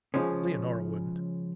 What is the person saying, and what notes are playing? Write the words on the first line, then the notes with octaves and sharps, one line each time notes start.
Leonora wouldn't.
C#3 F3 G#3 C#4